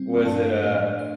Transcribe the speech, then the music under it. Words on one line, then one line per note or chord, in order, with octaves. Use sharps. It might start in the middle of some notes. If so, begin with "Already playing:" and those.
Was it a
Already playing: G3 C4
G2 F3 A3 D4 F5 A5
A2 A3 D4
C5